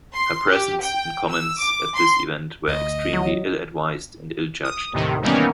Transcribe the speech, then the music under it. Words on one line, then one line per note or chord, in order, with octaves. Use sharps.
Her presence and comments at this event were extremely ill-advised and ill-judged.
C6
G4
G5
E6
D6
C6
D2 D#5
F#3
D#6
D#2 A2 C3 D#3
D#3 E3 G3 A#3 B3 C#4